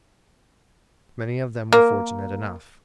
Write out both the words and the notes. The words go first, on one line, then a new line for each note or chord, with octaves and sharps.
Many of them were fortunate enough.
A#3